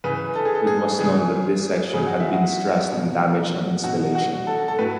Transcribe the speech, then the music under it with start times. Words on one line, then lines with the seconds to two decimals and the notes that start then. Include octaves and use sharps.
It was known that this section had been stressed and damaged on installation.
0.04 C#3 E3 B4
0.35 A4
0.45 G#4
0.55 A4
0.67 G#4
0.99 C#3 E3 G#4
1.93 C#3 F#3 G#4
2.07 F#4
2.20 E4
2.33 F#4
2.89 B2 F#3
3.83 B2 F#3 F#4
4.15 F#4
4.47 A4
4.68 A4
4.79 A2 F#3 B4